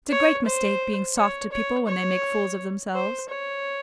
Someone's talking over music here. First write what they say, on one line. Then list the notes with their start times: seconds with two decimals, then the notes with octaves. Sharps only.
It's a great mistake being soft to people when they make fools of themselves.
0.11 C#5
0.46 C5
1.17 C#5
1.52 C#5
1.87 C#5
2.94 C5
3.29 C#5